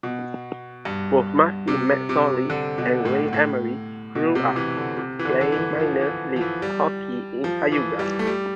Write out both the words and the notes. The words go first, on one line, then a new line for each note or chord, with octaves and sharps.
Both Marty McSorley and Ray Emery grew up playing minor league hockey in Cayuga.
B2
G2
C3
C3
D3
B2
A2
A2
B2
C3
E3
D3
C3
E3
D3
D3
E3
F3
E3
F3
E3
G3
F3
E3
G3
A3
G3